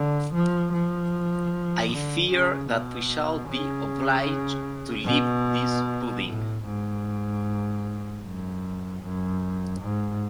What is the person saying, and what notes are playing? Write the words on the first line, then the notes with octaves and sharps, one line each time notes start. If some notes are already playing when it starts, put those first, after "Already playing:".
I fear that we shall be obliged to leave this pudding.
Already playing: D3
F3
F3
D3
C#3
B2
C#3
B2
A2
G#2
F#2
F#2
G#2